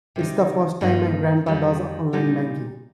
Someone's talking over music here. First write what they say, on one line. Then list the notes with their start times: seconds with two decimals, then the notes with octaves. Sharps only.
It's the first time my grandpa does online banking.
0.16 C3 G3 D#4
0.81 G2 D#3 A#3 D#4
1.46 F2 D#3 G3
2.13 A#2 G3 D#4